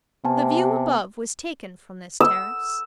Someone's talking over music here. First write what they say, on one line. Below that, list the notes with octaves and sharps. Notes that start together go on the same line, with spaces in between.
The view above was taken from this terrace.
C3 B3 G#5 A5
E6